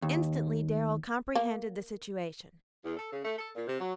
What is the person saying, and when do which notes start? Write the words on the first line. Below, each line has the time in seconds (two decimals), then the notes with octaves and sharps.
Instantly Darrell comprehended the situation.
0.02 D#2
1.35 A#3
2.84 E2
2.97 A4
3.12 C#3
3.24 A3
3.38 A4
3.55 A#2
3.67 C3
3.80 F#3